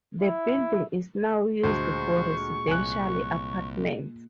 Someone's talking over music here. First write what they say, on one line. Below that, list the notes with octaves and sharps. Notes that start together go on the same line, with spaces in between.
The building is now used for residential apartments.
E4
D2 A#2 G#3 C5 C#6
C2 G#5 F#6